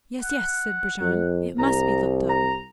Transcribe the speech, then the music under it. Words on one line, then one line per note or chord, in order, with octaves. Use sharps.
"Yes, yes," said Brujon, "it must be looked up."
F#5
F2
C2 A#5
A#5